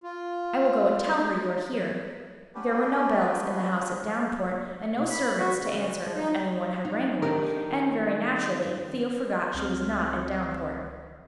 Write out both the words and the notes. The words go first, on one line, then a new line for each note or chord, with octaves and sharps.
"I will go and tell her you are here." There were no bells in the house at Downport, and no servants to answer if any one had rang one, and, very naturally, Theo forgot she was not at Downport.
F4
B3 C#4 D4 G4 B4
B2
B5
F#4
C#3
F3
D#4
D#4
D#3 D4 G4 A#4
C#2 C4 F6